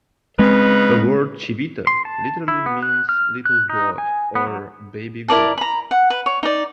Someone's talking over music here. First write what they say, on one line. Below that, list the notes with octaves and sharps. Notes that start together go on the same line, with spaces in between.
The word "Chivito" literally means "little goat" or "baby goat".
C#3 G#3 C4 D#4 B4
C6
A5
E4
B3
F#6
F6
F#6
D#4
G#5
B3
F#3
E4 A#4 D5 A5
A#5 B5
F#5
B4
C#5
D#4 D5